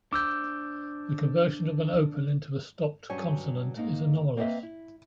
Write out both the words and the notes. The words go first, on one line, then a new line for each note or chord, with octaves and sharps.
The conversion of an open into a stopped consonant is anomalous.
D4 C5 D6 E6 G6
G2 F#3 C#4 C#5 G#5
G#2 A#3 D#4
A#3 C4 B4 C#5 D#5 E5
E4